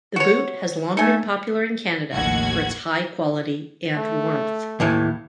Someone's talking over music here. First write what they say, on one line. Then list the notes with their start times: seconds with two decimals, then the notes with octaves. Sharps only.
The boot has long been popular in Canada for its high quality and warmth.
0.16 F#4 C#5
0.97 A3 D#4 G#5
2.12 A1 D#2 F3 F#4 G#6
3.96 A3
4.80 D#2 A2 E3